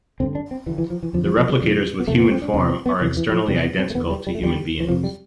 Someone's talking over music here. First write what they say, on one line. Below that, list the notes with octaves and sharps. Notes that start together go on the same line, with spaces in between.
The replicators with human form are externally identical to human beings.
G2 D3 C4
D4
C4
G2 D3 E3
E3
F3
E3
F2 D3 F3
F3
F3
G3
F2 D3
B3
E2 C3 A3
B3
C4
D4
E2 C3 D4
C4
B3
E2 C3 E3
E3
G3
F3
E2 C3 G3
B3
C4
A3
E2 D3 B3
G3
G3
A3
E2 D3 G3
E3
F2 C3 F3
G3